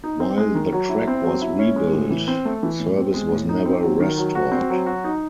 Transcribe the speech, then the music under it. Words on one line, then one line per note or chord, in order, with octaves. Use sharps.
While the track was rebuilt, service was never restored.
D#4
C4
G#3
D#3
F#3
E4
C4
F#3
E4
C#4
G#3
A2
E3
C4
A3
E3
A2
C4
G#3
A2
D#4
C4
F#3
D#3
F#3
F#4
C4
F#3
F#4
D#4